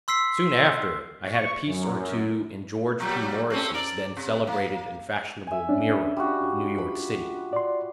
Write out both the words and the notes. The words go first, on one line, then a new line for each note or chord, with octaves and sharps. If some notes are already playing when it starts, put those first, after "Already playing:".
Soon after, I had a piece or two in George P. Morris's then celebrated and fashionable "Mirror," of New York city.
C6 E6 B6 C7
C#6
F#2
A#2 F#3 G3
A3 C4 C#4
A#4 D5
C3
A#3
E5 G#5
C#4 D4
G3 F4 F#4
B5
D5 C6